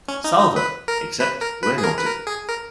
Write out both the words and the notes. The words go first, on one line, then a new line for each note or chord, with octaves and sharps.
Souther, except where noted.
C#4
D#4
D#4
B4
A#4
B4
A#4
B4
G#4
A#4
B4
A#4
G#4
A#4